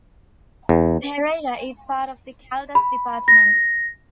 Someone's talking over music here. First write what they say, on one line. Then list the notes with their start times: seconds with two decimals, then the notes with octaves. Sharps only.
Pereira is part of the Caldas department.
0.69 E2
2.75 B5
3.28 A#6